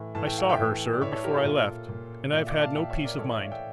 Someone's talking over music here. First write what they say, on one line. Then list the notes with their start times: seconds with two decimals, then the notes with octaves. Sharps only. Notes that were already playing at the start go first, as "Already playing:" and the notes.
I saw her, sir, before I left, and I've had no peace of mind.
Already playing: A2 E3
0.15 A2 E3 A5
0.27 G5
0.38 F5
0.49 E5 G5
0.58 A2 E3
0.93 D5
1.01 A2 E3 C#5 E5
1.12 A4 C#5
1.24 G4 A#4
1.34 F4 A4
1.45 A#2
1.89 A#2
2.32 A#2 D5 F5
2.42 E5
2.47 D5 F5
2.61 F5 A5
2.75 A#2 E5 G5
2.90 C#5 E5
3.04 A#4 D5
3.19 A2 E3 A4 C#5
3.31 C#5 E5
3.41 D5 F5
3.51 E5 G5